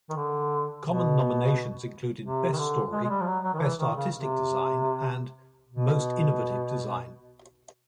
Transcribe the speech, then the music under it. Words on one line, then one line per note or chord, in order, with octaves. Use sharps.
Common nominations included "Best Story", "Best Artistic Design", and "Most Innovative Design".
D#3
D3
B2
C3
D#3
D3
G#3
G#3
G3
F3
F#3
F#3
D#3
E3
D#3
C#3
C3
B2